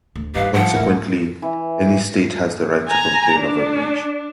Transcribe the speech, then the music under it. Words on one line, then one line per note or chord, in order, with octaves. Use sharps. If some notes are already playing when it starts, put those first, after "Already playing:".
Consequently, any state has the right to complain of a breach.
D2
G2 D#4 G4 B4 F5
F3 F#5
F#2 A2 E4 A#4
E3
G#5 A#5
D4